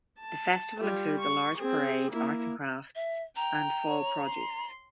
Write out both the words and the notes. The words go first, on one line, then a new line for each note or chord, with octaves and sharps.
The festival includes a large parade, arts and crafts, and Fall produce.
A5
G3 F4
C#6
C4 G#4
A#3 E4
E5
G5 A#5
C#5
C6